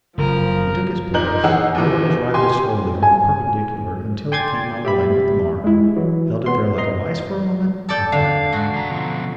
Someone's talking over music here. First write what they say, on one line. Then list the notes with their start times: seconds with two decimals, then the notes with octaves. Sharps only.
He took his place, lowered his rifle slowly from a perpendicular until it came on a line with the mark, held it there like a vice for a moment and fired.
0.18 F#1 C#3 F3 A#4
1.14 A#2 D#4 A#4 G6 F#7
1.44 E3 D#4 G#4 C#5 F#5 E6
1.75 D#2 E3
2.34 G4 G#5 C6
3.03 G#5
4.32 G5 G#5 C6 D6 G#6 A6
4.85 G4 E5 B5
5.64 G#3 E4
5.96 E3 F#3
6.46 B3 C6
6.78 D#5 A#5 C6
7.89 A4 D5 G5
8.12 D3 F5
8.53 G#2 F#4
8.73 D3 A#5
8.90 B2 F3